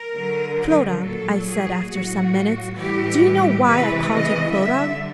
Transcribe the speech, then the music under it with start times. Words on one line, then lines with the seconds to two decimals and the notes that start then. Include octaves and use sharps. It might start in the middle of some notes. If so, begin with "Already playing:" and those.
'Clodagh,' I said after some minutes--'do you know why I called you Clodagh?'
Already playing: A#4
0.14 D3 F#3
1.02 A#2 F#3 A4
1.46 G#4
1.90 A2 F#3 F#4
2.77 A2 E3 G3 G4
3.65 C3 E3 G#3 B4
4.09 D#5
4.53 D3 G3 E5